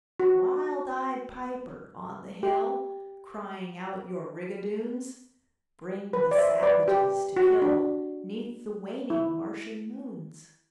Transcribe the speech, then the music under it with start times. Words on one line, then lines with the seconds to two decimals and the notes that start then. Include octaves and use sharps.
"Wild-eyed Piper on the hill, Crying out your rigadoons, Bring the savages to kill 'Neath the waning Martian moons!"
0.20 F#4
2.43 G4
6.13 B4
6.31 D5
6.38 C5 E5
6.63 B4 D5
6.88 G4
7.37 F#4
7.62 D4
9.10 E4